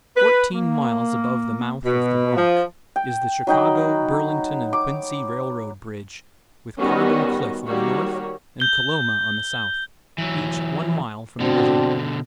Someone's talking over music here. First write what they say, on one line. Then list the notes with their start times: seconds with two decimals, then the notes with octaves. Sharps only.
Fourteen miles above the mouth of the Rock, is the Chicago, Burlington and Quincy railroad bridge, with Carbon Cliff on the north and Coloma on the south, each one mile from the river.
0.17 B4
0.54 A#3
1.84 B2
2.35 F3
2.96 G5
3.47 F#3 D#4 G5 B5
4.73 D6
6.78 D#3 G3 B3 C#4 F#4 D#5
7.66 D#3 G3 A#3 F#4 C#5
8.60 G6 G7
10.18 E3 F#3
11.40 B2 D3 C4 D4 F#4